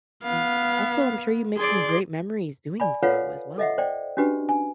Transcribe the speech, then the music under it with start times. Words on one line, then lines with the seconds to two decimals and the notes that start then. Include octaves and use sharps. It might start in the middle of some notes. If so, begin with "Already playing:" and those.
m also, I'm sure you make some great memories doing so as well.
0.24 B3 F5
1.57 G#4 D5 C6
2.80 D5 G#5 B5
3.03 F4 A4 B4 C#5 F5 F#5
3.58 A4 D#5 E5 F#5
3.78 C5 D5 G5
4.17 C#4 D4 F#4 G4 B4
4.49 G#5